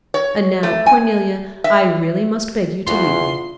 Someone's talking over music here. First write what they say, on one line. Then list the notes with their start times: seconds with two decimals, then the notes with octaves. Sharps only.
"And now, Cornelia, I really must beg you to leave me."
0.14 C#5
0.63 A3
0.86 G#5
1.64 E5
2.87 E2 F4 F#4 C6